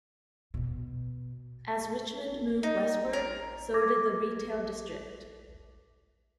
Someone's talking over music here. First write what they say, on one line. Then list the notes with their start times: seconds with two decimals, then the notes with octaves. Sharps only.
As Richmond moved westward, so did the retail district.
0.54 B2
2.63 D#4
3.13 A#4
3.74 A4 D6 G#6 A#6